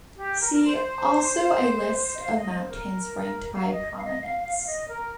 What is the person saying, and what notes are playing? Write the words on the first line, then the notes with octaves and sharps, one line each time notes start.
See also a list of mountains ranked by prominence.
G4
A#4
A#4
C5
D#5
F5
D#5
C5
A#4
F5
D#5
F5
D#5
F5
F5
F5
D#5
A#4